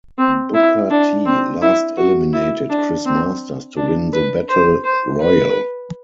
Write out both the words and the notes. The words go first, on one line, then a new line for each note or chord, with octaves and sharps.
Booker T last eliminated Chris Masters to win the Battle Royal.
C4
E4
D4
C4
E4
F#4
E4
D4
C4
D4
B4
C5
C5
B4